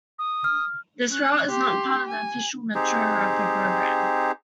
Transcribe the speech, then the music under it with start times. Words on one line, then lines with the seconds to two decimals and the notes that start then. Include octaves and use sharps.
This route is not part of the official Metro Rapid program.
0.19 D#6
0.44 F6
1.11 C#4 F#6
1.49 G4 C6
2.08 G#5
2.75 C4 D#4 G4 G#4